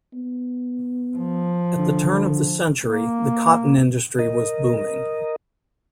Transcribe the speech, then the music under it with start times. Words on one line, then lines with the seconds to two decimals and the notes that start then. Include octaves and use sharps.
At the turn of the century, the cotton industry was booming.
0.14 B3
1.17 F3
1.78 D3
2.82 A#3
4.19 A#4 D#5